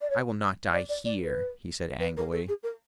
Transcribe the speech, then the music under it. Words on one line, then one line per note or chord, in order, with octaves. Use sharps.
"I will not die HERE," he said angrily.
D5
C#5
D5
D5
D5
B4
B4
A#4
A4
G#4
A#4